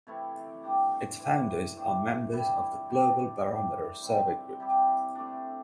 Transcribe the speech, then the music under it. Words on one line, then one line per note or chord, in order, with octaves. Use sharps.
Its founders are members of the Global Barometer Survey group.
C3 E3 A3 E4
G3 D4 G4
E3 C4 G4
E3 A3 D4 G4
E3 G3 E4
G3 D4 G4
G3 E4 G4
C3 G3 C4 E4
G3 E4 G4
C3 A3 D4